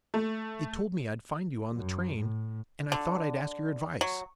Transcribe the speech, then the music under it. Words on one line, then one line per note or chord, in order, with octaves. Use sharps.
They told me I'd find you on the train, and I thought I'd ask your advice.'
A3
F#2
A2
D3
F#3